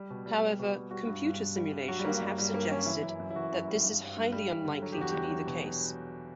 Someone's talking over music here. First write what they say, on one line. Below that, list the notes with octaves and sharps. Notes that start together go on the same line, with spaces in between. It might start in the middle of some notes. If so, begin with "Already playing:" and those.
However, computer simulations have suggested that this is highly unlikely to be the case.
Already playing: G3
B2
G3
G3
B2
G3
G3 F#4
G2
G2
G2
G3
G2
F#3 F#4
G3
G2 A#3
G2 G3
G2 G3
G2 A#3
F#3 C#4
E3 E4
F#2
F#2
E4
E3 F#4
F#2
G3
G2
G2
G2
G3
G2
D3
F#3
G4
E2 F#4
E2 G4
F#3
B2